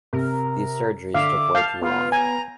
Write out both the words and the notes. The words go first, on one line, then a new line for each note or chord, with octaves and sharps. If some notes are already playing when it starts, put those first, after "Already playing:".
These surgeries took way too long.
C3 A#4
D3 E5 F5 D6
F5 A5 G6
B3 F4
G#5 A#5